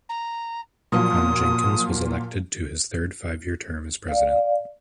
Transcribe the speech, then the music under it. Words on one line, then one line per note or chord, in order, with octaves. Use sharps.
On Jenkins was elected to his third five-year term as president.
A#5
A#2 F3 F#3 D#6
D5 F5